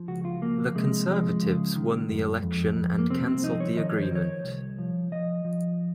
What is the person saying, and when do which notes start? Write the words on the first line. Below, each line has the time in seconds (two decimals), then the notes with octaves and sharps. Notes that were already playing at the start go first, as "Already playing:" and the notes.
The Conservatives won the election and cancelled the agreement.
Already playing: F3
0.08 C#2 F#4
0.25 F4
0.42 F3 A#3
0.75 C3 G#3
1.08 F3 G#3
1.42 C#3
1.76 D#3
2.09 F#2
2.43 F2
2.76 F2
2.99 A#3
3.10 C2 C4
3.27 C4
3.44 F3 D#4
3.60 C#5
3.77 D#3 D#5
3.90 C#5
4.03 C5
4.11 D#3 C#5
4.44 C2
4.78 F3
5.12 F3 D#5
5.45 F3